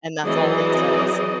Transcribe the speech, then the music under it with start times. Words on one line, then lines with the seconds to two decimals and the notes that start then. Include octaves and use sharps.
and that's all it says.
0.23 E3 F#3 C4 G#4 D5 D#5